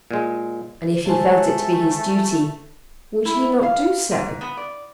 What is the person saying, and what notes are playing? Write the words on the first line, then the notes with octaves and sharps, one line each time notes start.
And if he felt it to be his duty would he not do so?
A#2 G#3
G#3 A3 C5 A5
E4
F5
G#2
B3
D5